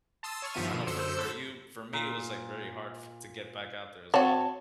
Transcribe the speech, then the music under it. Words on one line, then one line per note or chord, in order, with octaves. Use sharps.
I don't know for for you for me, it was, like, very hard f to get back out there as well.
A5 C6 D#6 E6
C#5 C#6 F6
G2 D#3 F3 B3 E5 D#7
B2 D3
F#2 D3 C5 E6 G6 C#7
F#4 A4 B5
A#2
C4 F#4 C#5 A5